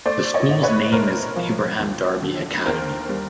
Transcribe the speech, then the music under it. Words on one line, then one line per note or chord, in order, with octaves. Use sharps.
The school's name is Abraham Darby Academy.
A3 C5 D5
C#5 D#5
A2
B4 C#5
B1 A#4 C5
F3
D#2
D3
D#2 A#4 C5
G3